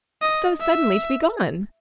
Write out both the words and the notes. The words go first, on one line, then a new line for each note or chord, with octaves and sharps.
So suddenly to be gone!
D#5
E5